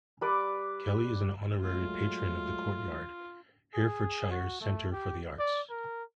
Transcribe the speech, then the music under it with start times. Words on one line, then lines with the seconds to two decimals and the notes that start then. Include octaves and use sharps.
Kelly is an Honorary Patron of The Courtyard, Herefordshire's Centre for the Arts.
0.21 G3 B4 D5 D6
1.62 F#3 G#3 A3 F4
3.74 G#4
4.31 F#4
4.61 A3
4.92 G4
5.39 D5
5.70 A#4